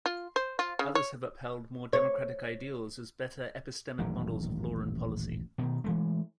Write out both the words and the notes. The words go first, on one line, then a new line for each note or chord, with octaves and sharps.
Others have upheld more democratic ideals as better epistemic models of law and policy.
F4
C5
F4
C#3
C#5
C#5
D#1 A1 G2 F#3
B2 D#3
E3 G#3 A3